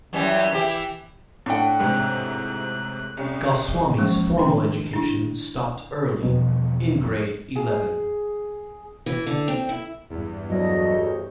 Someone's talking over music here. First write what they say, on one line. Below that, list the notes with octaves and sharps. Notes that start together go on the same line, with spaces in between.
Goswami's formal education stopped early, in grade eleven.
F#2 E3 G3
E3 G4
A2 D4 F#5 G5
G#2 C3 E3 F#6
C2 C#4 C#7
E3 F3 G#3 A#3 C#4
D#3 D4 G5 C6
D4 E4
E2 B2 F3 G3
G#4
E3
D3
C4
E4
E2 G2
D2 F#3 A#3 A4 D#5
G4 C#5